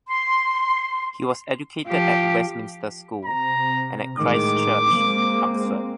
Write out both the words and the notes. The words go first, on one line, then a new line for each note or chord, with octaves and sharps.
He was educated at Westminster School and at Christ Church, Oxford.
C6
F3 G4
C3 A#5
A2 D#3 G#3 D6
G#3 A#3 C4